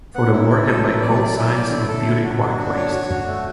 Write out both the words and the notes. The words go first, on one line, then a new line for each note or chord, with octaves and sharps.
For the war had laid all signs of beauty quite waste.
B3 F#5
C#4 E4
B3
A3 E4
G#3 A4
F#3
E3 E4
F#3
D5
D5
E4
D5
D3 E4
A4
E4
F#4
F#4
D4
C#5
F#4
F#4
A3